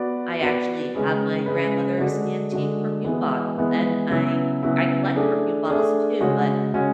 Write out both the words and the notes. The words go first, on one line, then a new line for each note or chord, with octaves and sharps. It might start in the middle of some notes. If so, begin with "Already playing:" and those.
I actually have my grandmother's antique perfume bottle, and I I collect perfume bottles too, but
Already playing: B3 F#4 B4 D5
B3 F#4 B4 D5
C#3 G#3 C#4 G#4 B4
C#3 G#3 C#4 G#4 B4
D3 G#3 D4 F#4
D3 G#3 D4 F#4
E3 G#3 B3
E3 G#3 B3
C#3 F#3 B3 E4
C#3 F#3 B3 E4
A3 D4 G#4
A3 D4 G#4
C#3 G#3 C#4 F#4 C#5
C#3 G#3 C#4 F#4 C#5